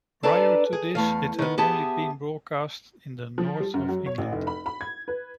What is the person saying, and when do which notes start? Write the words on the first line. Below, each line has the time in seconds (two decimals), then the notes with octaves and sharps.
Prior to this it had only been broadcast in the North of England.
0.23 D4 A4 B4 D5 G#5 A#5
0.73 G#4
0.95 E2 A3 F5
1.39 D#3 B3
1.58 B3 G4 G#4 E5 A5
3.38 F3
3.60 G3
3.74 F#2
3.89 F#3
4.06 C#5
4.18 A1
4.32 F1
4.47 B5
4.66 B5
4.81 G#6
5.08 B4